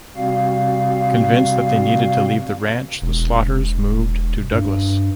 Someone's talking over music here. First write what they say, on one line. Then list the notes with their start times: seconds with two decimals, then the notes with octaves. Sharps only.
Convinced that they needed to leave the ranch, the Slaughters moved to Douglas.
0.16 C3 G3 C4 F#4 F5
3.02 E1
4.51 G2